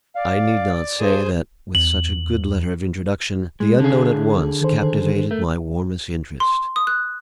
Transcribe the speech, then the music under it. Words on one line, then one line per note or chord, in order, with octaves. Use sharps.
I need not say that, with such a good letter of introduction, the unknown at once captivated my warmest interest.
D5 F5
G2 G#4 C5
E2 F#7
G#3
D3 G#4
D#3 A4 C5
A3 A#4
C6
D#6
F#6